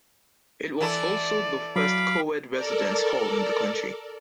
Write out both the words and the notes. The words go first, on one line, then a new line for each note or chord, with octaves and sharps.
It was also the first co-ed residence hall in the country.
E3 E4 A4 D5
F#3 F5 B5 D6
A4 A#4 D5